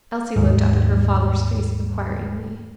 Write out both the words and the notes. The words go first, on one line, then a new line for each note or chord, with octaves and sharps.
Elsie looked up in her father's face inquiringly.
D#2 G#2